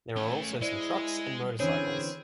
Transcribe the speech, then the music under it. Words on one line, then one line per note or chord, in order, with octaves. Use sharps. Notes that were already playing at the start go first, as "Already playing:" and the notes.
There are also some trucks and motorcycles.
A3 C#4 G7
G#3 E4 C5 D5
D3 E3 C4 C#4 G#4 C#5